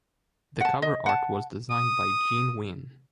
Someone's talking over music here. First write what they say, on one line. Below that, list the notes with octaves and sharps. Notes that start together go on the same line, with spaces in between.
The cover art was designed by Gene Ween.
F#5 A5
D#5
F#5 A5
D#6